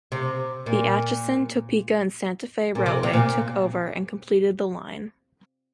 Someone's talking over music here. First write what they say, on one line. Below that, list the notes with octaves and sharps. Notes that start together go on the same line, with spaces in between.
The Atchison, Topeka and Santa Fe Railway took over and completed the line.
C3
A#2
A#2
C3
C3
A#2